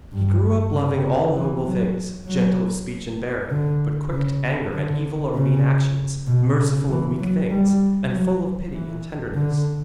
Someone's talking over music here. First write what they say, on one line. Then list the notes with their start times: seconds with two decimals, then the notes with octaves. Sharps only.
He grew up loving all noble things, gentle of speech and bearing, but quick to anger at evil or mean actions, merciful of weak things, and full of pity and tenderness.
0.12 G2
0.73 C#3
1.35 E3
1.65 F#3
2.27 F#3
3.50 D3
4.12 C#3
4.73 D3
5.36 C#3
6.27 B2
6.58 C#3
6.89 E3
7.19 F#3
7.50 G3
8.12 F#3
8.73 E3
9.34 D3